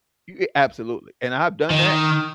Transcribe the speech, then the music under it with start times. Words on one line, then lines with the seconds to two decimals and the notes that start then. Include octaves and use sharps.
Y a absolutely. And I've done that,
1.70 D#3